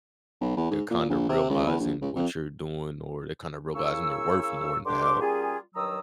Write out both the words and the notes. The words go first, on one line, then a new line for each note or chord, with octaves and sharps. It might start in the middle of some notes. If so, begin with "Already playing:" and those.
they're kinda realizing what you're doing, or they're kinda realizing they're worth more now,
B1
E2
G#2
A#2
A#1
C3
C#2
E2
A#1
C#2
F2
C#3 A#3 E4 C#6 E6
G2 D3 D4 G4 C6 D6
G3 A#3 C#4 F4 G#4
G2 D#3 F#3 A#5 D#6 E6